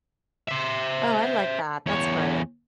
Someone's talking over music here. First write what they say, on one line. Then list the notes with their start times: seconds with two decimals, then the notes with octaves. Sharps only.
Oh, I like that, that's great.
0.49 C5 E5
1.86 E2 C#5